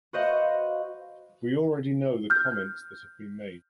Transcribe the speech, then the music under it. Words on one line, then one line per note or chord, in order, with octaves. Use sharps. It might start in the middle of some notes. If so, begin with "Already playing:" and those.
We already know the comments that have been made.
F#4 B4 C5 D#5 F5 F#5
F6 G6